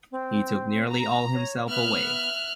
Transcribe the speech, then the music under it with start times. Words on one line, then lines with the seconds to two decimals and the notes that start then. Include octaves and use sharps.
He took nearly all himself away.
0.12 C4
0.91 A#5
1.34 C#5
1.68 B3 E5 F6 F#6